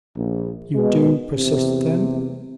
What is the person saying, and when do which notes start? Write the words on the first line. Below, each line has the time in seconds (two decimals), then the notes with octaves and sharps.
"You do persist, then?"
0.15 A#1
0.75 B2 G#3
1.35 E2 C3